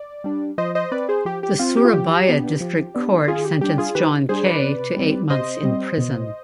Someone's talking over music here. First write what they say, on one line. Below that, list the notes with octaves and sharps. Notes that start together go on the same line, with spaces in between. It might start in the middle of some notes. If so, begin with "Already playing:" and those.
The Surabaya District Court sentenced John Kei to eight months in prison.
Already playing: D5
G3 D4
F3 C5 D#5
C5 D#5
C4 B4 D5
G#4 C5
F3 G4
G4
C4 F4
G4
F4
F3 G4
B3 D4
F3
B3 D4
D#3 F4 G#4
G4
G3 D4 G4
F4 G#4
D#3 G4 B4
G3 D4 G#4 C5
B4 D5
C3
G3 C4
C3 C5 D#5
G3 C4
B2